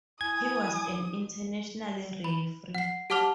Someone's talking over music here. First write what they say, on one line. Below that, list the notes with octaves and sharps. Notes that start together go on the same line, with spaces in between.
He was an international referee.
E4 G#5 D#6 G#6
B5
F#5 C7
G4 F#5 A5 D6 F6 F7